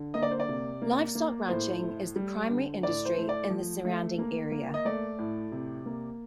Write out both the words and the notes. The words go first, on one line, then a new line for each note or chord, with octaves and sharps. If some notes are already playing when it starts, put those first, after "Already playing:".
Livestock ranching is the primary industry in the surrounding area.
Already playing: D3
A#3 D#5
D5
C5
D5
C3
A#3
A#3
A2 C5
A3
G3
D3
A2 D5
C5
A3
D5
F3
A3
A#3
A#3
D#5
A3 D5
A2
C3
A#3